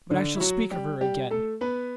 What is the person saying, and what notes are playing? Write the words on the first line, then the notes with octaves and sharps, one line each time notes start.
But I shall speak of her again.
D3 D4
E4
F#3 F#4
G3 G4
G3 G4
A3 A4
B3 B4